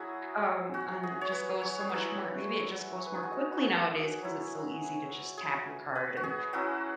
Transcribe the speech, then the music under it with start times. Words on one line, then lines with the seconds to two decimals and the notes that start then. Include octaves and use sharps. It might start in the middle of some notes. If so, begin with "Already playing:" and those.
uh, um, and it just goes so much more Maybe it just goes more quickly nowadays cause it's so easy to just tap your card, and,
Already playing: F#3 E4 F#4 G#4
0.74 F#4
1.03 G#4
1.21 C#5
1.32 B4
1.61 C#5
1.80 G#4
1.89 F#3 B4
1.94 E4
3.06 B4
3.15 G#4
3.23 F#4
3.33 G#4
3.53 F#4
3.64 G#4
4.22 F#3 E4
5.37 G#4
5.95 B4
6.17 F#4
6.23 G#4
6.53 F#3 C#4 E4 F#4